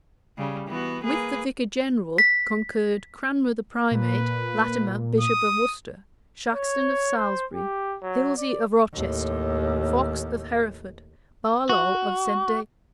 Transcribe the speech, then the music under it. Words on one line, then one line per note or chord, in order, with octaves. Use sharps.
With the vicar-general concurred Cranmer the primate, Latimer, bishop of Worcester, Shaxton of Salisbury, Hilsey of Rochester, Fox of Hereford, Barlow of St. David's.
C#3 G3
E3 B3 F#4
A#3 G#4 B4
B6
A#2 B4
D#6
C#5
C5
G4
F#3
D5
D#2 A2
F#4